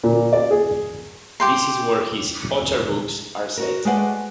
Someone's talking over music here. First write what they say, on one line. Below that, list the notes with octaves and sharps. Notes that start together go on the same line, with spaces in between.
This is where his "otter books" are set.
A#2
D5
G#4
G4 G5 C6
F#4 A#4
G#3 A3 B4 C5 D5 F#5